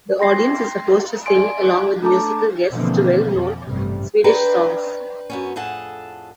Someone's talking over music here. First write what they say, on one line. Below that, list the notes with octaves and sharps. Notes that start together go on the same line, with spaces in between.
The audience is supposed to sing-along with musical guests to well-known Swedish songs.
G5 C6 A#6 C7
D5 G#5 C6 D7
A3 D4 A4 A5 A#5 D6
B2 D3 E3 F3 A#3 C4
F2
A1 G2 C3 G3
D4 B4 C5 G5 A#5
F#2 B3 C#4
F2 A2 G#4 A4 F#5 A5